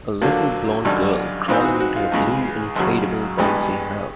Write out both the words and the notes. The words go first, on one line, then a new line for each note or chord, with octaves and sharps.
A little blond girl crawling into a blue inflatable bouncy house.
D2 D3 F#3 A#3 F4
G#1 F#2 D3 G3
G#2 E3 G#3 C4 D#4 F4
F#4
F#4
F4
C#2 C#3 E3 G#3
G#1 F#2 C#3 F#3
A1 G2 E3 G#3 B3 G4